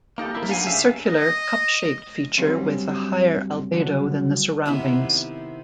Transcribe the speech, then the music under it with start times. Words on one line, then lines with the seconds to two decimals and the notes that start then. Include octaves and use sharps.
It is a circular, cup-shaped feature with a higher albedo than the surroundings.
0.18 A#3 D#4 G4 A4
0.35 A#3 E4
0.49 D4 F5 F#5 G#5
0.65 C#2 G3 C#4 E5 F5
1.06 D#5
2.38 G2 F#3 G3 C4 C#4
3.73 G2 D3 F#3
4.66 C3 D#3 B3 E4